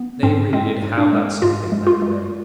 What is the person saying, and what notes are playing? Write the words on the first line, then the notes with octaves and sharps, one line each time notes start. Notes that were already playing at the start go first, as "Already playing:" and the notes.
They really did howl out something in that way.
Already playing: B3
G#2 C4
G#3 C4
G#2
D4
G#3
G#2 F4
G#3
F4
G#3